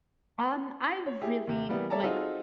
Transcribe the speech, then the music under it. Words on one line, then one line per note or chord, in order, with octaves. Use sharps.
Um, I really, like
C#5
E4 G4 G#4
D#2 C3
E3 G3 A#3 B3
A4 C#5 D5 E5 A5 A#5
C4 D#4 F4 F#4 G#4 A4